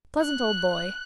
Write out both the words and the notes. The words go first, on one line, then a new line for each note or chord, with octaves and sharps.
Pleasant old boy.
F#6